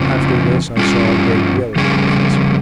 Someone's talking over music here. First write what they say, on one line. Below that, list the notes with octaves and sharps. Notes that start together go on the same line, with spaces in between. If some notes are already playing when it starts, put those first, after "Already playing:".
After this I saw a great deal of the professor.
Already playing: F2 C#3 F3
G2 G3 C#4 F4
F2 C#3 G3 C#4 G#4